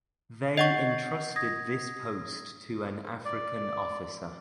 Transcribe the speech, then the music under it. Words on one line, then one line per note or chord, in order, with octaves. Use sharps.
They entrusted this post to an African officer.
D#5 F#5 C#6 G6 A6 C7
D#6 G#6 A#6
D5